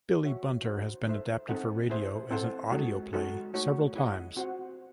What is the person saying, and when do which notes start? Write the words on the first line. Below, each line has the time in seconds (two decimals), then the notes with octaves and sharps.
Billy Bunter has been adapted for radio as an audio play several times.
0.25 F#4 C#5 E5
0.66 D#4 F#4 C5 F#5
1.07 D#4 A4 C5 E5
1.48 C4 D#4 A4 D#5 F#5
1.90 E4 G#4 C5 E5
2.31 C4 E4 A4 C5 F#5
2.72 G#3 C4 D#4 F#4 A4
3.13 G#3 D#4 F#4 A4
3.54 A3 D#4 F#4 C#5
3.96 E4 G#4 D#5 F#5
4.36 C4 F#4 C5 F#5